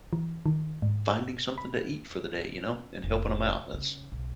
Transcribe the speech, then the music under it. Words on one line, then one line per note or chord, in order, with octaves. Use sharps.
finding something to eat for the day, you know, and helping 'em out. That's
E3
D#3
G#2
B5
C#4
F1
C#3
B1